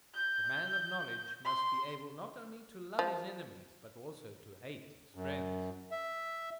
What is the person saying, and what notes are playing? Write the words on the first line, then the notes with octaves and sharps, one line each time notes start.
The man of knowledge must be able not only to love his enemies, but also to hate his friends.
G6
C6
F3
F#2
E5